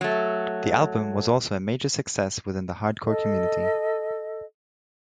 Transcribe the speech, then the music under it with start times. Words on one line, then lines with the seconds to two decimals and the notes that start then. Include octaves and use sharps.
The album was also a major success within the hardcore community.
0.01 F#3 A3
3.05 A4 D#5